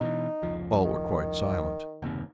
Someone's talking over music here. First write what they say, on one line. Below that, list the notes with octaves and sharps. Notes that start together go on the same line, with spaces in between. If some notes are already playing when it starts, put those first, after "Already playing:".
All were quite silent.
B2 D#3 E3 D#4
F1 C#2 F3
D#3
F#1 D#2 C3